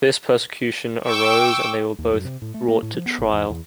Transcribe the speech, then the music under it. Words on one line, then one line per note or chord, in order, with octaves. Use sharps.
A fierce persecution arose, and they were both brought to trial.
G5 C#6 D6 E6
D#2
F#2
C3
A2
A3
A#3
A2
F3
B3
G#1
E2
E2